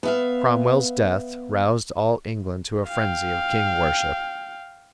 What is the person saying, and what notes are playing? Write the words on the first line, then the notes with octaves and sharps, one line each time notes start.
Cromwell's death roused all England to a frenzy of king-worship.
B3 E5 F5
F5 G5